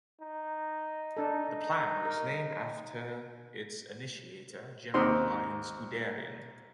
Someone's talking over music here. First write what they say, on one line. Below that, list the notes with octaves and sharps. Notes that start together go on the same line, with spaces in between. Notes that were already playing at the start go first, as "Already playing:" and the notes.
The plan was named after its initiator General Heinz Guderian.
D#4
D4 A4
A#4
D#2 C4 D#4 C6